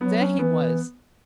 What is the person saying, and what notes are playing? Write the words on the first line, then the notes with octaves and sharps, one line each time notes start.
There he was.
F#3 B3
C#4
E3 B3